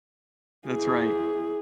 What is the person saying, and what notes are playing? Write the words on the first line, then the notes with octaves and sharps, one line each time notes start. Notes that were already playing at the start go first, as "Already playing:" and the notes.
That's right.
E4 G#4